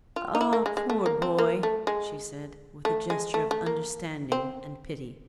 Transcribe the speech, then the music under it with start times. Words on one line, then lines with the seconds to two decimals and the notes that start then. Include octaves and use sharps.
"Ah, poor boy!" she said, with a gesture of understanding and pity.
0.16 F4
0.35 D#4
0.41 E4
0.53 A#3
0.66 G#3
0.77 G#3
0.90 A3
1.06 A#3
1.22 C4
1.38 A#3
1.63 A3
1.87 G#3
2.85 A3
3.10 G#3
3.34 A3
3.51 A3
3.66 A#3
4.32 C4